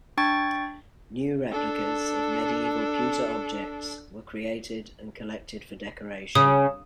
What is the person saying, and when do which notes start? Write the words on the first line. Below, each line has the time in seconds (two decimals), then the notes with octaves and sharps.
New replicas of medieval pewter objects were created, and collected for decoration.
0.17 D4 G5 C#6 G#6 A6
1.52 D4 A4
6.35 C#3 D#6